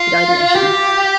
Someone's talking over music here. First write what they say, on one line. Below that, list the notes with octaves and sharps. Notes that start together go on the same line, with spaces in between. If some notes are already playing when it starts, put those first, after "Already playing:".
He died in Eschen.
Already playing: F4
G4